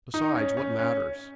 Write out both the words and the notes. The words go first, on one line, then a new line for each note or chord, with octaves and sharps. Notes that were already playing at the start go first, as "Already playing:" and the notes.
Besides, what matters?
D#4
C#4
C#4
C#4